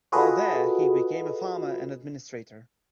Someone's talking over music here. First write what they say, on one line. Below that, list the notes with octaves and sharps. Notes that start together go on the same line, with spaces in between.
While there he became a farmer and administrator.
F4 F#4 G#4 A4 B4 D#5